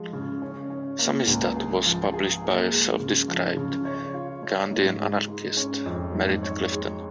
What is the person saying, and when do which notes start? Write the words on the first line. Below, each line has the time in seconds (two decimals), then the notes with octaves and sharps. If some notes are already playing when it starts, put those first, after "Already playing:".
"Samisdat" was published by self-described "Gandhian anarchist" Merritt Clifton.
Already playing: F3 G#3
0.13 C#3
0.42 C#4
0.70 C#4
0.99 A#3
1.27 C#2
1.56 G#4
1.85 F3
2.14 G#4
2.42 A#3
2.71 G#3
3.00 C#3
3.28 F3
3.57 C#3
3.85 C#5
4.14 F4
4.43 C#5
4.71 G#2
5.00 G#3
5.28 G#3
5.57 C#4
5.86 F2
6.14 G#2
6.43 C#5
6.72 G#3